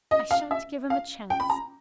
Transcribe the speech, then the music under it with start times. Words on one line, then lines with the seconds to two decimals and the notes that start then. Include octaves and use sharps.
I shan't give him a chance.
0.11 D#5
0.31 F5
0.51 E5
0.90 F5
1.30 G5
1.40 B5
1.50 A#5